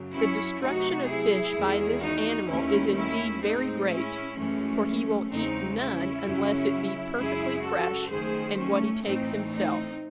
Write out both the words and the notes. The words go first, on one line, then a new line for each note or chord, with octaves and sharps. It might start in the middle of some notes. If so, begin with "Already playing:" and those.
The destruction of fish by this animal is, indeed, very great, for he will eat none unless it be perfectly fresh, and what he takes himself.
Already playing: F#2 C#3 F#3
C#4 E4
C3 F#3 A3 D#4 F#4
E4 G#4
E2 D#3 G#3
D#4 F#4
D#2 D#3 A3 C#4 E4
C#4 E4
A2 G#3 C4 D#4
C#4 E4
F#2 E3 G#3 A3 C#4
E2 C#3 G#3 C4 D#4
C#4 E4
F#2 C#3 F#3
F#2 C#3 G#3 E4 G#4
F#4 A4
F#2 D#3 A3 G#4 C5
A3 C#4
A2 E3 A3 C4 D#4
C4 D#4